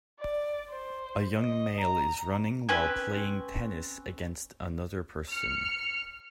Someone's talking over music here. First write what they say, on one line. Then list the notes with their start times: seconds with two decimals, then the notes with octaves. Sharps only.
A young male is running while playing tennis against another person.
0.20 D5
0.70 C5
1.37 D#5
1.80 A#5
2.69 C4 C#4 B4 G#5
5.30 F6 C#7